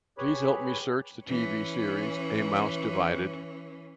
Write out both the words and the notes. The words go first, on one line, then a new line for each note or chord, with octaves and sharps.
Please help me search the TV series A Mouse Divided.
G4 G#4 B4 C#5 B5
E3 C#4